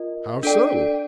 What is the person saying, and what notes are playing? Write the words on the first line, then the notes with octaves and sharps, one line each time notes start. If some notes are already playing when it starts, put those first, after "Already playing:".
"How so?"
Already playing: F4 A#4 D#5
D4 A4 D5 G5